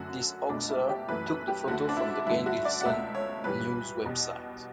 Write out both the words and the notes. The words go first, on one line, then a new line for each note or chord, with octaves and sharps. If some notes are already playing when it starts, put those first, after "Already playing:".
This hoaxer took the photo from the "Gainesville Sun" news website.
Already playing: F#2 D3 F#3 A3 F#4
C#2 B2 A3 D4
E4
G4
F#2 E3 A3 B4
B4
G4
D2 D3 A3 F#4
D4
E4
G2 D3 A3 E4
F#4
D5
F#5
C#2 B2 A3 E5
C#5
G2 E3 G3 B4
E2 B2 G3